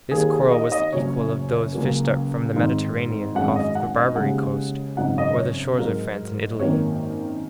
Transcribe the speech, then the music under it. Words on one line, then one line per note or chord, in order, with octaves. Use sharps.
This coral was the equal of those fished up from the Mediterranean off the Barbary Coast or the shores of France and Italy.
D#2 D#3 A#3 G#4
G#4
D#5
D#5
F#1 F#2 F#3 C#5
C#2 C#3 F#3 A#3
G#1 G#2 D#3
G#1 F#2 D#3 G#3 C#4 F#5
D#5
F#5
D#5
D#2 C#3 G#3 F#5
G#1 F#2 C#3 F#3 D#4 F#5
D#5
C#5
G#2 F#3 D#4 A#4
G#1 F#2 D#3 A#3 C#5